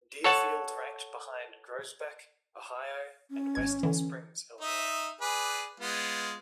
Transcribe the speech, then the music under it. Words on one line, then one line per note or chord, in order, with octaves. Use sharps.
Deerfield ranked behind Groesbeck, Ohio, and Western Springs, Illinois.
A4 C#5 F#5 A5
C#4
G#1 G#6
D3 E3
D#4 D#5 E5
G#4 B4 D5
G#3 B3 F4